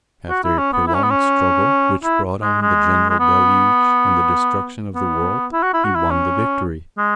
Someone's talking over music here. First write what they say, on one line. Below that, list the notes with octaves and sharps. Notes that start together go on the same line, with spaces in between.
After a prolonged struggle, which brought on the general deluge and the destruction of the world, he won the victory.
F#4
E4
C#4
B3
E4
C#4
B3
C#4
E4
G#3
G#3
G#3
B3
B3
E4
F#4
E4
F#4
E4
C#4
G#3